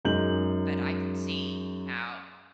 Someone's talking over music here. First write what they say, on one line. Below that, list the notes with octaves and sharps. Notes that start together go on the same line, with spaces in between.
But I can see how
F#2 G#3 D#4 G6 F#7